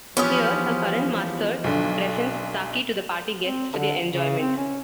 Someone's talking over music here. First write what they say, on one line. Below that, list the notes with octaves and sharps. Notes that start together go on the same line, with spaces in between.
Here, her current master presents Saki to the party guests for their enjoyment.
E2 F3 B3 C#4 F4 G4 D#6
B1 D3
C4
D3
C#3
C4
C#4